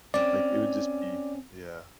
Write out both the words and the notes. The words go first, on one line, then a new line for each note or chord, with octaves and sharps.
like, it would just be Yeah.
C4 C#4 D5